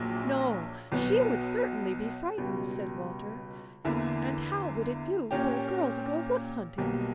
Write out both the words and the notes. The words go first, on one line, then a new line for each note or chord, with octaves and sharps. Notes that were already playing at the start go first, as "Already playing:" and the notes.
'No, she would certainly be frightened,' said Walter, 'and how would it do for a girl to go wolf-hunting?
Already playing: A#1 A#2 F#3 A#3
B1 B2 F#3 B3
C#2 B2 G3
E2 D3 A#3 E4
A#2 A#3 C#4 G4
B1 B2 G3 A#3